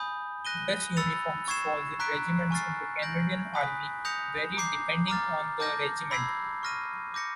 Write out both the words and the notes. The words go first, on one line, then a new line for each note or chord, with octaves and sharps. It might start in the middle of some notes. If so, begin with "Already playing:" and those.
Dress uniforms for regiments in the Canadian Army vary depending on the regiment.
Already playing: G#5 B5 D#6 G6
F#6 A#6 D#7 G7
B5 E6 A6 C#7 F7
C#6 E6 G#6 C7 E7
A#5 C#6 F#6 B6 D7
G#5 C#6 F6 A6 C7
G6 A#6 D7 F#7
G#5 B5 D#6 F#6 B6
D#6 G6 A#6 C#7 F7
A#5 D6 G6 C7
A#5 D6 F6 A6
A5 D6 G6 A#6
B5 E6 G#6 C7
C#6 F6 A#6 D#7
D6 G6 A#6 C#7